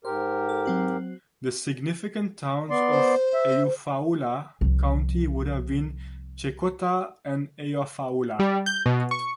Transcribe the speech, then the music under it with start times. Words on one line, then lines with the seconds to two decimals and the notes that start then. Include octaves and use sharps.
The significant towns of Eufaula County would have been Checotah and Eufaula.
0.05 G#2 G4 A#4 C5
0.49 A4
0.66 F#3 C4 F#4
2.70 B3 D5 C6
2.91 C5
3.34 E5
4.61 C2 F3
8.39 G3
8.66 G6
8.86 B2
9.11 C#6